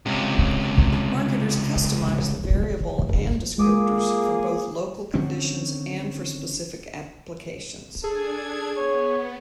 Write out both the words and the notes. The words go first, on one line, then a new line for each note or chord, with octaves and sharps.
Marketers customize the variable and descriptors for both local conditions and for specific applications.
C#2 C3
G#3 A#3 F4 G#4 D6 D#6
D3 D#3 C4 C#4
D4 G#4 A4 G#6
B3 C#5